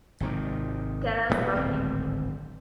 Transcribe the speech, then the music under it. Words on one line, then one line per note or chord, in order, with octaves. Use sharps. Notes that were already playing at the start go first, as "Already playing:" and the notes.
Tell us about him.
G#1 C3 D#3
D#1 E2 C3 B3
D1 G#1 C4